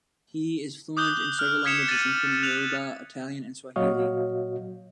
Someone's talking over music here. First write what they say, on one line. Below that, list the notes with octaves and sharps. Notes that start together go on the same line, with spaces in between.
He is fluent in several languages, including Yoruba, Italian, and Swahili.
D6 D#6 F#6 G6 G7
F6
D#6 G#6 B6 C#7 E7 F7
A6 C#7 D#7 F#7
F#6 F7 F#7
A#2 F#3 F#4 C#5 D#5 F5